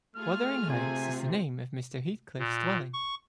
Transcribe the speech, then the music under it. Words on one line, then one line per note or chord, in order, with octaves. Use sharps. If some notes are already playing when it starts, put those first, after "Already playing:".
Wuthering Heights is the name of Mr. Heathcliff’s dwelling.
A3 F4 G#4 F6
C3 G#5
A#2
C#6